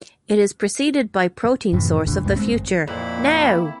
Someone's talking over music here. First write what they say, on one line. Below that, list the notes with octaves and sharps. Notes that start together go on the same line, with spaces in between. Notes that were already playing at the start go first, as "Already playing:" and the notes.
It is preceded by Protein Source of the Future...Now!
F#2 A2 C3 E3
F2 B2 D3
C#2 G2 A#2 G3
G#3 C4
G1
F2 A#2 A#3 E4 B5